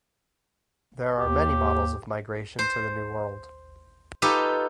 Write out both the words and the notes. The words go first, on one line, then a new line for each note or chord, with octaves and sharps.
There are many models of migration to the New World.
D#2 G4
C5
D#4 F4 G4 A4 B4